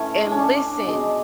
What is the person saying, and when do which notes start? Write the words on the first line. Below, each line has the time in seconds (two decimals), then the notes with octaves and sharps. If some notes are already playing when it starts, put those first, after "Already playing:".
And listen,
Already playing: A2 E3 A3 C#4
0.25 D4
0.31 C#4
0.39 D4
0.83 B2 G#3